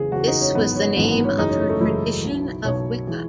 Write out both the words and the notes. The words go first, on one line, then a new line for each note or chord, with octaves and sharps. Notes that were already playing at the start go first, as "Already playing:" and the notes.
This was the name of her tradition of Wicca.
Already playing: F#1 E2 C#3 G#4
F#1 E2 C#3 F#4
D#4
C#4
A1 G#2 D#3 F#3 B3
C#4
A1 G#2 D#3 F#3 B3
B3
C#4
F#1 F#2 E3 G#3 D#4
C#4
C#4
A3
F#1 F#2 E3 G#3 E4
B1 B2 F#3
B1 B2 F#3 C#5
E3 G#3